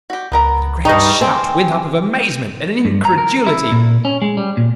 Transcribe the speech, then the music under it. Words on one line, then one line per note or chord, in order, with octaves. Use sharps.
Then a great shout went up of amazement and incredulity.
F#4 G4
C#2 B3 A#4 A#5
G2 D4 D#4 G5 C#6 A#6
C4 G#5
G2
A#5
A#4
E4
A#2
C#4
G#3
G3
A#2